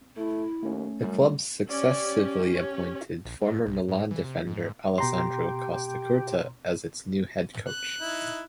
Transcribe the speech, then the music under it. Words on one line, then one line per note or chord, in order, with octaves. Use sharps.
The club successively appointed former Milan defender Alessandro Costacurta as its new head coach.
A3 E4
D#2 A3 C#4
F#2 G3
C#4 G4 D5
C#5
A#1
G#2
B1
G#2
E3
C3
G#2
B2 G4 A#5 C6
F#6
D#4 E4